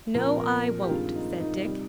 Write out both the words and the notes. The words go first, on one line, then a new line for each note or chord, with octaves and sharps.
"No, I won't," said Dick.
A#2 F3 C4 A#4
A#4
G4
G2 D#3 G#3 C4 F4
D#4
D#4
C3 G3